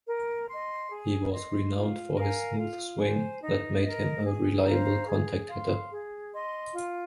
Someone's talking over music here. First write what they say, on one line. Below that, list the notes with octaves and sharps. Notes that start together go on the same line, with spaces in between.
He was renowned for his smooth swing that made him a reliable "contact" hitter.
A#4
D#5 C6
G#4
D#5 C6
F4
A#4 F5 G#5
F4
G#5
C5
D#4
D#5
A#4
G#4
C5 F5 A#5
G#4
F5 C6
G#4
D#5 C6
F4